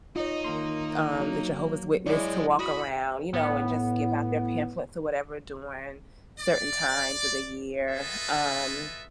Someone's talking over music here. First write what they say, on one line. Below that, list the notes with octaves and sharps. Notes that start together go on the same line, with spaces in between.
um, the Jehovah's Witness to walk around, you know, and just give out their pamphlets or whatever during certain times of the year, um
D#4 F4 C#5 D#5
D#3 A#3 C6
F#3
G#3 E4 C#5 D5 E5
F#4 B5 D#6
A2 B3
D5
F4 G#4 A4 B4 D#5 E5